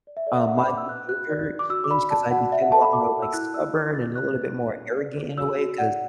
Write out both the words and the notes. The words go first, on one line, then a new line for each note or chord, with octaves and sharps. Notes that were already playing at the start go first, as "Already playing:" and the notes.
um, my behavior changed, 'cause I became a lot more, like, stubborn, and a little bit more arrogant in a way, 'cause,
D5
E5
A4 D5
E5
D4 F#5
B5
D4 D6
E6
B4 F#6
F#4 F#6
D5
D4
D6
F#4 E6
D6
D5 B5
D5 A5
F#4 F#5
D5 E5
F#5
A4 A5
B5
F#4 D6
F#4
E6
E4 F#6
D5 E6
D5 D6
E4 A6
D5 F#6
B4
D4
D4
D5
A4
F#4 E6
F#4
D5 F#5